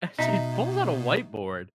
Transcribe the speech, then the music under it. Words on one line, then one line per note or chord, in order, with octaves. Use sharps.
and she pulls out a whiteboard
B2 D#4 E5 A#5 B6